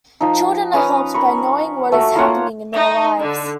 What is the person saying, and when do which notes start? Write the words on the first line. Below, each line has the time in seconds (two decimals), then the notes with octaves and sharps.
Children are helped by knowing what is happening in their lives.
0.21 F3 D#4
0.73 C#4 B4 A#5 D#6
1.14 A#4 B5 C#6
1.92 A3 F#4
2.15 A#3 F4 C#5 F#5
2.74 D#4
3.21 D3